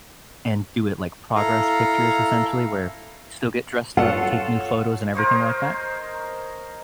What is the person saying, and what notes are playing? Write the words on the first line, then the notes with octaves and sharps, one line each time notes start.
and do it, like, progress pictures essentially where we still get dressed up, take new photos, and everything like that.
E4 A4 F5 A#5
F4 A4 C#5 F#5
A#4 C5 C#5 D#5